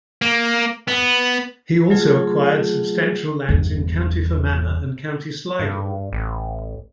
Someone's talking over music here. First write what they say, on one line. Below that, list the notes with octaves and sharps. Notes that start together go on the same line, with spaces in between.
He also acquired substantial lands in County Fermanagh and County Sligo.
A#3
B3
F#3 A3 F4 G#4
G1 E2
G2
A1